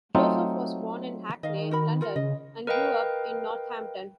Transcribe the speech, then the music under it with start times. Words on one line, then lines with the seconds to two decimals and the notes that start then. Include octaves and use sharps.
Joseph was born in Hackney, London and grew up in Northampton.
0.15 F#3 A3 C4 D#4 F4
1.43 D#3 D#5 F5
1.71 F#4 A#4 B5
2.01 F4 A#4 F#5
2.16 C#3 D#5
2.67 A#4 B4 D#5 F5 G5